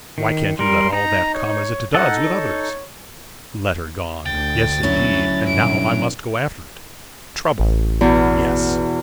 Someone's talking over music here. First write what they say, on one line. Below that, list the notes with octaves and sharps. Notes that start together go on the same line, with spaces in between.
Why can't you let all that come as it does with others?' 'Letter gone;--yes indeed, and now I must go after it.' 'Trouble!--yes!
D#3
G3 A#4 C6
D#4 A#5
C#5
D#4 A4 F#5
C#5
D2 G5 A6
F#3 C#4 E4
G2 B2 D#3 D7
A1
E2 B2